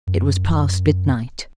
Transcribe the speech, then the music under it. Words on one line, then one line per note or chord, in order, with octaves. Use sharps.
It was past midnight.
F#2